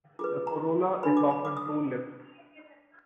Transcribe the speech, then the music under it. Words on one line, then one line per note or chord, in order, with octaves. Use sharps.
The corolla is often two-lipped.
F4 G#4 B4 D6
A#5
D4 F#4 B4 B5
D6
B5
D6
D#6